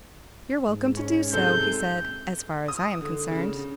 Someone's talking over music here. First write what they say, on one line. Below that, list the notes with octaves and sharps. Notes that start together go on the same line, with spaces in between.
"You're welcome to do so," he said, "as far as I am concerned."
G#2
C#4
C3 G#3 A4 G6
D#6
D3
C#3